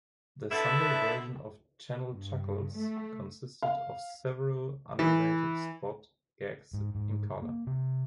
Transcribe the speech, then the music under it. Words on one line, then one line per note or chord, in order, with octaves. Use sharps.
The Sunday version of "Channel Chuckles" consisted of several unrelated spot gags in color.
B2 D3 B3 E4 A4 E5
G2
A3
F5
E3
G#2
G#2
A#3
C3